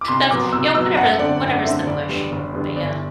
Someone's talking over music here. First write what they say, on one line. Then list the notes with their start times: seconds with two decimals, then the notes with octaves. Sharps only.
that's you know, whatever whatever's the push, but yeah.
0.01 D6
0.08 C2 C6
0.31 B2 F#3 B3 D6
0.53 C2 E6
0.74 B2 F#3 B3 E6
0.97 F#2 F#5
1.19 D3 A3 C4 D5
1.41 F#2
1.64 D3 A3 C4 E5
1.87 F#1 D5
2.09 E2 D3 G3 B3
2.32 F#1
2.54 E2 D3 G3 B3
2.76 G1 D5